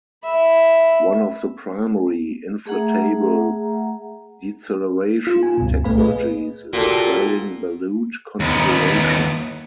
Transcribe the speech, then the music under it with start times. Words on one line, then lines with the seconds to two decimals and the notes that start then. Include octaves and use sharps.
One of the primary inflatable deceleration technologies is a trailing ballute configuration.
0.24 E5 B5
2.66 A3 G#4 E5 F#5 A#5
5.27 F4
5.43 G#5
5.58 C#2 G2 B2
5.84 C2 A#2 A3 B4 F5 B5
5.98 G#4 B4 D#5
6.73 A#2 F#4 G4 A4
8.40 D#2 B3